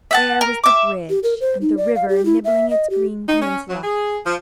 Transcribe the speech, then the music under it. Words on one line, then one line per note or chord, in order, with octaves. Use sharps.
There was the bridge, and the river nibbling its green peninsula.
E5 F#5 A5
A#4
E5 D6
G4
A#4
C5
D#4
D5
F5
G4
E4
E5
D#5
G4
D#4
C#4
F#3
G#4
F3